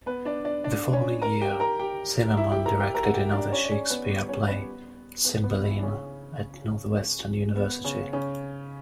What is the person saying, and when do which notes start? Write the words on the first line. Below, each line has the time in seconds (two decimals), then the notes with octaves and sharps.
The following year, Zimmerman directed another Shakespeare play, "Cymbeline", at Northwestern University.
0.06 B3 B4
0.25 D4 D5
0.45 D4 D5
0.64 D4 D5
0.93 C#4 C#5
1.22 A#4 A#5
1.41 G4 G5
1.60 A#4 A#5
1.79 G4 G5
2.37 E4 E5
2.52 G4 G5
2.66 A#4 A#5
2.80 G4 G5
2.95 A#4 A#5
3.05 F#5
3.14 G4 G5
3.33 D4 D5
3.53 C#4 C#5
3.65 D5
3.71 C#4 C#5
3.90 B3 B4
4.10 G3 G4
4.29 C#4 C#5
4.48 B3 B4
5.25 B3 B4
5.44 B3 B4
5.64 E3 E4
5.79 D4
5.83 C#3 C#4
7.56 B3
7.84 C#3 C#4
8.13 C#3 C#4